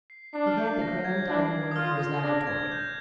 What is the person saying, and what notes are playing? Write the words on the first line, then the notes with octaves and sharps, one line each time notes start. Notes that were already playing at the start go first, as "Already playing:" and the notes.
He had the grand dining-room for his laboratory.
C7
D4 C7
F6
G6
A#6
G#6
D4
D#6
F4 F6
D#6
D4 A#6
G#6
G6